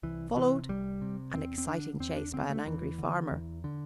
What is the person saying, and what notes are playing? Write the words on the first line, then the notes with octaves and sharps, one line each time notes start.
Followed--an exciting chase by an angry farmer.
C2 E3
C3 E3
C2 G3
C3
E2 C4
C4
D3 D4
E2 C4
D4
D3 C4
A3
E2 E3
D3
E2
D3